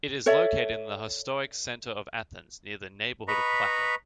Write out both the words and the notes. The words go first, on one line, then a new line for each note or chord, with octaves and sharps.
It is located in the historic center of Athens, near the neighborhood of Plaka.
A4 C#5 D5 E5
B4 D#5 A#5 B5 C#6